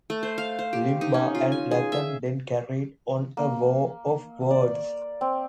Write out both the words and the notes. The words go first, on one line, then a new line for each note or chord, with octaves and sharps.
Limbaugh and Latham then carried on a war of words.
A3
C5
F5
C5
G4
D#4
C#4
F4
G#5
G#4
E5
A#3
D5
C4